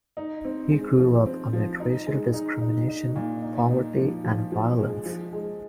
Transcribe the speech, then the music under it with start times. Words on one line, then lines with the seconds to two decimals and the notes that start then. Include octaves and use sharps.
He grew up amid racial discrimination, poverty, and violence.
0.17 D#4
0.45 C4
0.72 G#3
0.99 F3
1.26 C4
1.53 F3
1.80 D#4
2.07 G#3
2.34 D#4
2.61 D#4
2.88 D#4
3.16 A#2
3.42 D#4
3.71 D#4
3.97 F3
4.24 F3
4.52 F3
4.79 G#3
5.06 F3
5.33 G#3